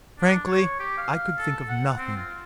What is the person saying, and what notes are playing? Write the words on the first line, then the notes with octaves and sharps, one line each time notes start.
Frankly I could think of nothing.
D4
C#5
G4
F5
A4
F#5
C4
F4